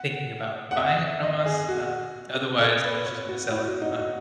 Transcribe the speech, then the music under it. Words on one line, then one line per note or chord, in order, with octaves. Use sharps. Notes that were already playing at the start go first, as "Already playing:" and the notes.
thinking about, buying it from us, um, otherwise she's gonna sell it, um,
Already playing: F#5
F#5
E5
D#5
G#4
F#4
A4
B4
C#5
F#4
E4
F#4
D#4
F#4